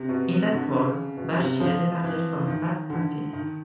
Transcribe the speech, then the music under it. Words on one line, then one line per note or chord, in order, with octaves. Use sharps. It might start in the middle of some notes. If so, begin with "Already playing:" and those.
In that role, Bashir departed from past practice.
Already playing: C3
B2
D3
C#3
B2
C3
F3
E3
D#3
D3
D#3